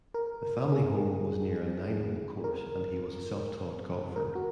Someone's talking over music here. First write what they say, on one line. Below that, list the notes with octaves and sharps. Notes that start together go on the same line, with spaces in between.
The family home was near a nine-hole course and he was a self-taught golfer.
A#4
G#4
A#4
A#4
F#4